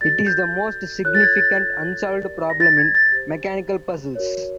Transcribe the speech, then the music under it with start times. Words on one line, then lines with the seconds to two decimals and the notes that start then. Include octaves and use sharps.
It is the most significant unsolved problem in mechanical puzzles.
0.01 F#4 A4 D5 A6
0.27 G6
1.05 F4 A4 C#5 F#6
1.15 A6
1.22 G#6
1.39 A6
2.08 G4 A#4 D5
2.50 A#6
2.60 A6
2.77 G#6
2.95 A6
3.12 G4 C5
4.15 F#4 A#4 C#5